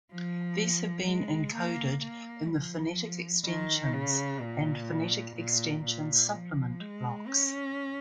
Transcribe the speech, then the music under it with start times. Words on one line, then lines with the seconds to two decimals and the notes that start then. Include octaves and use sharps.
These have been encoded in the "Phonetic Extensions" and "Phonetic Extensions Supplement" blocks.
0.11 F3
1.07 G#3
1.55 A#3
2.02 A#3
2.51 F3
3.46 D#3
3.93 C#3
4.41 A#2
5.37 A#2
5.85 A#2
6.32 F3
6.80 G#3
7.28 C#4